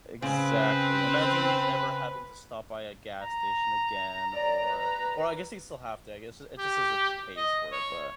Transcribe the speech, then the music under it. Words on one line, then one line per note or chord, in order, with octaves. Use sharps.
Exactly. Imagine never having to stop by a gas station again, or or I guess you still have to, I guess it just says it pays for it, but
C#3 C4 B4
A#5
D5
B4
G4
D#5
C#5